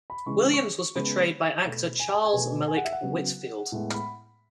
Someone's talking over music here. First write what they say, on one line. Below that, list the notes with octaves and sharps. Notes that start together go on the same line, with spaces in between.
Williams was portrayed by actor Charles Malik Whitfield.
B5
C#3 E3 G#3 C#6
C#6
C#3 G#3 B3 B5
B2 A3
G#5
A5
G#5
B2 A3
G#5
F#5
E5
F#5
C#3 F#3 B3
A2 G#3 B3
B5